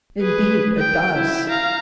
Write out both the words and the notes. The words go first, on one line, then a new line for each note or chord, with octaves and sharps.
"Indeed it does."
G#4 B4
G5
E4
F5 A#5